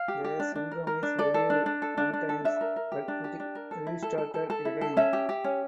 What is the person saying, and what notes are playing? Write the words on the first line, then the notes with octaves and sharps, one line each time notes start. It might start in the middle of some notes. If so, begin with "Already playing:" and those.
The syndrome is relieved sometimes but it restarted again.
Already playing: F5
G4
G4
D4
D4
A#4
A#4
D4
A4 D5
A4
D4
D4
A4
D4
D4
A4
D4 E5
A#4
A#4
G4
D4
G4
D4
A#4
A4
E4
A4
A4
A4
A4
E4
A4
C#4 E5
G4
G4
C#4